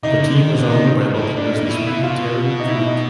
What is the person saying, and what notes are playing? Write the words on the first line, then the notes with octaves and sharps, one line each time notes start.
The team was owned by local businessman Terry Emmert.
C#3 D#4
D3
D#3
D3
D#3 D#4
A#2
A#2 D4
D#4
A#2
B2 E4
E4
B2 F4
D#4
E4
D#4